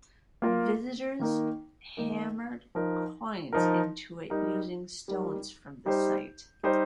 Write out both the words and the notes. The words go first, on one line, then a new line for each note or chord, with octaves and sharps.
Visitors hammer coins into it using stones from the site.
A#3 F4 A#4
D#3 A#3 D#4 A#4
D#3 A#3 D#4 A#4
F3 D#4 A#4
F3 D#4 A#4
G3 D#4 A#4
G3 D#4 A#4
G3 D#4 G4 C5
G3 D#4 G4 C5